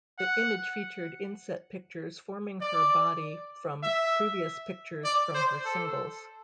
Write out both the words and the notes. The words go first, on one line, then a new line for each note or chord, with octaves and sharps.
The image featured inset pictures forming her body from previous pictures from her singles.
F#5
D5
E5
D5
C5
A4